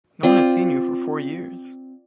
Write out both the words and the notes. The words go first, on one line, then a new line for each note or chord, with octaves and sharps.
No one has seen you for four years.
C4 F4 D5